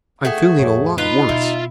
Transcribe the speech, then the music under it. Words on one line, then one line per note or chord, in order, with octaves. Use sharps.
"I'm feeling a lot worse."
A3 F#4 G#4
F2 A2 C#5
D#4 F4 B4
B2 E4